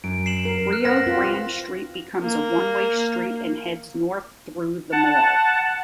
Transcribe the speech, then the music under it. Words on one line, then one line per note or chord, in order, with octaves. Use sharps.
Rio Grande Street becomes a one-way street and heads north through the mall.
F#2 D7
C7 E7 F#7
A#4
F6 F#6
B4 C5 F#5 A#6
C4 F4
A#3
F#5 A5